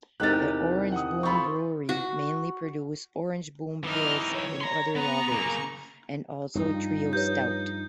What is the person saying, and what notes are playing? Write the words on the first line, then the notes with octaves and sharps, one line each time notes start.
The Oranjeboom brewery mainly produced Oranjeboom pils and other lagers, and also Trio Stout.
E2 C3 D#4 G4 A#4 F#6 A6
F#5 D#6
C4 F4 A4 B5 C#6
F#4
E3 D#4 D#5 F6
C#5
A#5 C6
B3 A#5 C#6
C#3 A#3
G2 F3 D#4
G4 B4 C#5 G6